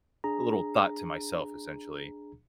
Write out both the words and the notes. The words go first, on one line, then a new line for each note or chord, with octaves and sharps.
a little thought to myself, essentially.
D4 G#4 A#5